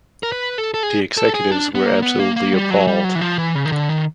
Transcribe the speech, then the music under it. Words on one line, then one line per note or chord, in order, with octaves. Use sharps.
The executives were absolutely appalled.
A#4
B4
A4
A4
G#4
A4
G#4
D4
B3
A#3
B3
A#3
A#3
G3
F#3
G3
F#3
E3
F3
E3
C#3
D#3
D3
D#3